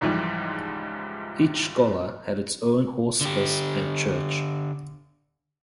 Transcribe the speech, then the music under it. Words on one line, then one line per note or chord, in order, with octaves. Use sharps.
Each "Schola" had its own hospice and church.
C#2 G#2 E3 F3 G3
D3 G4